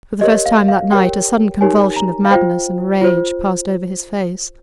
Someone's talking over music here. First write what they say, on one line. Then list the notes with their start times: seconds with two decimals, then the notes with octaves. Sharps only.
For the first time that night a sudden convulsion of madness and rage passed over his face.
0.21 G4 A#4 C#5 D#5
0.46 F5
0.68 F5
0.91 G4 A#4 C#5 G5
1.61 D#4 G4 A#4 C#5 G#5
1.96 A#5
2.25 F5
2.31 F4 C5 G5
3.01 F4 C5